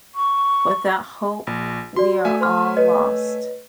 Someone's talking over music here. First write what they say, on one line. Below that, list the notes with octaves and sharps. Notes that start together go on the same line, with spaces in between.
Without hope, we are all lost.
C#6
A#1
F#4 D5 C6
A3 E5 G#5
C5 C6 F6
B4 C#5 D#5